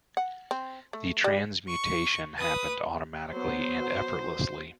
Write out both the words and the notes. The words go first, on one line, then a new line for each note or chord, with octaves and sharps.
The transmutation happened automatically and effortlessly.
F#5
C4
A3
G3
C#6
B4 D#6
F#3 B3 C5